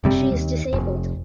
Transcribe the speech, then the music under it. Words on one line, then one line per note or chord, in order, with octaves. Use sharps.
She is disabled.
F#1 C3 G3 C4
D#2
F1